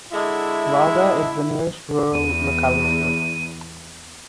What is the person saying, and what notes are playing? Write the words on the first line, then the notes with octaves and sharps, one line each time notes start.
Valga is the nearest rural locality.
D3 G#3 E4 E5
E2 D#7